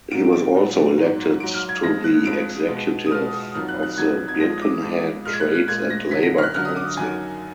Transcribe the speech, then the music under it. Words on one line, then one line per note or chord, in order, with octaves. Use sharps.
He was also elected to the executive of the Birkenhead Trades and Labour Council.
A#2 F#3 D7
D7
A#2 F#3
G#2 F#3
G#2 F#3 D7
F6
G#6
F2 F3 G#3 A#6
F#6
F2 F3 G#3 D7
B2 G#3
D#6
B2 G#3 F6
D#6
F2 D#3 F#3 F6
F#6
F#6
F2 D#3 F#3 G#6
G#6
F2 F3 G#3 A#6
D#6
D6
F2 F3 G#3
A#2 G#3 F6
G#6
F#6
F#6
A#2 G#3 G#6
A#6
F#2 D3 F#3 B6
A#6
F6
F#6
F#2 D3 F#3 F6
D#6
D6
F#2 D#3 F#3 G#5